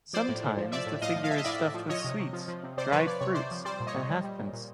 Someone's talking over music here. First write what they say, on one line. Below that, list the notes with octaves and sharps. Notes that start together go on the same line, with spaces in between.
Sometimes the figure is stuffed with sweets, dried fruits, and halfpence.
F3 C5 D5
A2
A2
F3
F3 D5 E5
A2
A2 D#5 F5
F3
F5
F3 E5
D#5
A2 D5 E5
A2
F3
F3 C#5 D#5
C3
C3
F3
F3
C3
C3 C5 D5
F3 B4 C#5
F3 D5
C3 C#5
C3 C5 D5
F3
G3 C5 D5
A#2
C#5 D#5
A#2
G3
G3
A#2
A#2